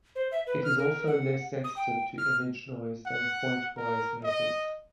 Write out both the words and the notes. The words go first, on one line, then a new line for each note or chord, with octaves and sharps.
It is also less sensitive to image noise than point-wise methods.
C5
E5
B4
F6
A#4
F#5
D#6
G5
F6
F#5
A#4
D#5